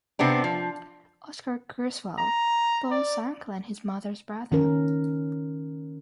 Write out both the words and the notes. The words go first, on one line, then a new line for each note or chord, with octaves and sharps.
Oscar Creswell: Paul's uncle and his mother's brother.
C3 B3 C4 D4
F3
A#5
D5
D#3 C#4 A#4